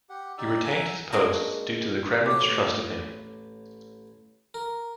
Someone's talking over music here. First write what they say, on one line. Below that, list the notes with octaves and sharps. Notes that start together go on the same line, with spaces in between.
He retained his posts due to the Kremlin's trust in him.
G4 F#5
D#4 G4 D5 E6
E5 F#5 G#5 A#5
G#3 A#3 D4 F#4 A#4
A1 C#5 D6
A#4